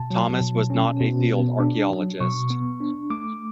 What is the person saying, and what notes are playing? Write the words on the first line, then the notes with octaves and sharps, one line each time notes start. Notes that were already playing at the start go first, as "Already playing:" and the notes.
Thomas was not a field archaeologist.
Already playing: B2 A5
F#3
B2
C#4
B2
B3
D4
F#3
B2 C#6
B3
D4
A3 D6